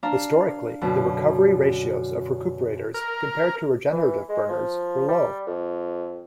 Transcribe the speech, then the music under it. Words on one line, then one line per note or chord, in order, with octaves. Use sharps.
Historically the recovery ratios of recuperators compared to regenerative burners were low.
D4 F5 A#5
F#2 B2 D3
A#4
E3
G#3
F3
G3
F2